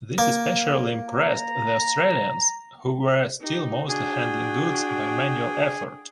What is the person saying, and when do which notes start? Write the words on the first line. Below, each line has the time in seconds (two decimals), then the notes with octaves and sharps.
This especially impressed the Australians who were still mostly handling goods by manual effort.
0.18 A#3
1.08 A#5
3.41 D#4 G4
3.89 D4 F#4 G#4 G5